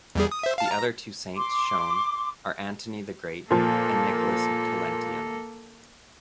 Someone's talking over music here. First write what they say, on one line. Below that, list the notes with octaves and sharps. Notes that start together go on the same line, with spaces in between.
The other two saints shown are Antony the Great and Nicholas of Tolentino.
E2 G3 G#4
D#6
C5 E5
F5 A5
A#5
C6 D6
A#2 F3 A#3 A4